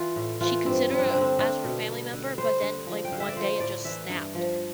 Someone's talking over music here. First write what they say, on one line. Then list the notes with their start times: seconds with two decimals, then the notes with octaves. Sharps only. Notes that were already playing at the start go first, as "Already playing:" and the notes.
she considered, uh as her family member, but then, like, one day it just snapped
Already playing: E3 F4
0.16 A2
0.41 E3 F4
0.66 G2 C4
0.90 G3 C4
0.98 D4
1.06 C4
1.13 D3 D4
1.21 C4
1.39 A3 D4
1.64 B2
1.89 G3
2.13 D3
2.37 G3 C5
2.62 D3
2.86 F3
3.05 G5
3.12 D3 F5
3.20 E5
3.29 D5
3.36 F3 C5
3.60 A2 D5
3.85 E3 E5
4.10 G2
4.35 F3